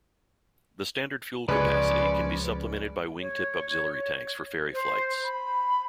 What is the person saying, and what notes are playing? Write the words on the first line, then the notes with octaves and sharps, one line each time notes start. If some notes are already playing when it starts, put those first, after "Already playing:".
The standard fuel capacity can be supplemented by wingtip auxiliary tanks for ferry flights.
C#2 F3 G#3 C#4 G#4 B4 C#5 D5
C#5
C5
B5